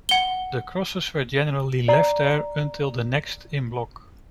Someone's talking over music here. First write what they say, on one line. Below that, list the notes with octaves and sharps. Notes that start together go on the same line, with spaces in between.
The crosses were generally left there until the next Imbolc.
F#5 G7
D5 A#5